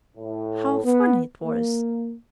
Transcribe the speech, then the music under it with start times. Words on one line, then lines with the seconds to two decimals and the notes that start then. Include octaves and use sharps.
How funny it was!
0.16 A2
0.84 B3
1.43 A#3